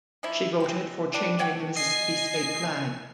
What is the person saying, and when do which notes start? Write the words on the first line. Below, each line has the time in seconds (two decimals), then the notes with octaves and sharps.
She voted for changing the Mississippi state flag.
0.23 F3 A#3 E4
0.60 G#3 C4
1.14 G3 D4
1.39 A3 C#5 F#5 G5
1.77 D#5 G#5 C7